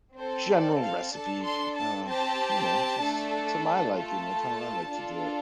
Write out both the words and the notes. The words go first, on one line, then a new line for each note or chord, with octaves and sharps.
general recipe, um, you know, just to my liking of how I like to do it.
C4 A4 C5
D5
F5
D4 A4 A5
C6
A5
C4 G4 A5
A3 D4 A4
A3 F4 A4 A5
D4 F4 A4